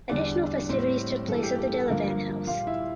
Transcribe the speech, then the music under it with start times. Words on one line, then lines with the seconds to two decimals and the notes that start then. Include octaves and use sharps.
Additional festivities took place at the Delavan House.
0.09 E2 D3 G3 D4 D5
0.69 A2 G3 C4 C5
1.28 G2 E3 G3 A4
1.43 G4
1.59 G4
1.73 A4
1.88 G2 D3 F3 A#3 A#4
2.47 A#2 G3 F4 F5
2.67 E4 E5